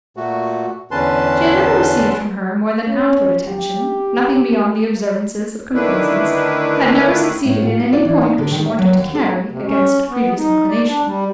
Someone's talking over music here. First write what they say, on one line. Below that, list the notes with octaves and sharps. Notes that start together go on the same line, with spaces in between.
She had never received from her more than outward attention, nothing beyond the observances of complaisance; had never succeeded in any point which she wanted to carry, against previous inclination.
A#2 A3 F#4
E2 D3 C#4 B4 A5 C6
C#4
G4
D3 D#3 A3 D4 E4 B4
A2
F4
F4
D5
E3
D#4
D3
D#3
E5
F#3
D#2
A4
C3
C#4
B3
D#4
D5
D4
G3